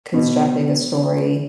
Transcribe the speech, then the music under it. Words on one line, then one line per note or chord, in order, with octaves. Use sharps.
constructing a story,
B2